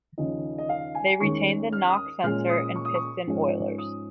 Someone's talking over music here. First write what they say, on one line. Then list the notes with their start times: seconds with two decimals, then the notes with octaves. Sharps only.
They retained the knock sensor and piston oilers.
0.18 D#2 C#3 F3 C#4 D#5
0.58 D#5
0.69 F5
0.95 G#5
1.20 D#2 D#3 G#3 C#4 C#6
1.73 F6
1.90 D#6
2.23 A#2 G#3 C#4 F6
2.50 D#6
2.76 C#6
2.85 D#6
2.95 C#6
3.27 G#2 F3 G#3 C#4
3.78 D#6